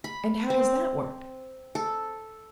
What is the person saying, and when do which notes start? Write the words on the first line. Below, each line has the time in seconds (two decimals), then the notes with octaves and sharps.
"And how does that work?"
0.04 B5
0.50 C4
1.75 A4